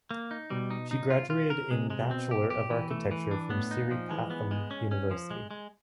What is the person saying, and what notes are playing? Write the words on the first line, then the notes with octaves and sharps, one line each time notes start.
She graduated in Bachelor of Architecture from Sri Pathum University.
A#3
D#4
B2 G3
D#4
D#4
F4
F4
A#4
C3 G#3
G#3
B2
C4
G4
G4
E3
A3
E3
D4
A2 B3
D#4
A#2
F3
E3 G#3
B3
G#3
C#4
C#4
F3
G#3
G#3